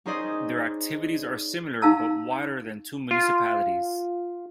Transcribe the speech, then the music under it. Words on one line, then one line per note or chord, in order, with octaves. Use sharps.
Their activities are similar but wider than to municipalities.
C#4 D#4 G#4 C5 D5 D#5
D#4 G4 F5 A5 A#5 E6
F4